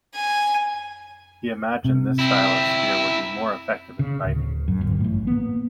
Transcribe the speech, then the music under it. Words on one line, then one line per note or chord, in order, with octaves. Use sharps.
He imagined this style of spear would be more effective in fighting.
G#5
C3
C4 E4
C#3
D1
F#2
G1
A1 A2
A#3 B3